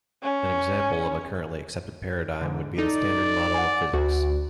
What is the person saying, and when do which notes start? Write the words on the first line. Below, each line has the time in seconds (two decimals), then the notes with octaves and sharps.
An example of a currently accepted paradigm would be the standard model of physics.
0.22 C#4
2.42 G#2 D3
2.78 D#4 A4 D5
3.54 F#5 G#5
3.93 D2 F#4